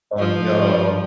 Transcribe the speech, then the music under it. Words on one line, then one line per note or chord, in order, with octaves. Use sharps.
Oh, no.
F3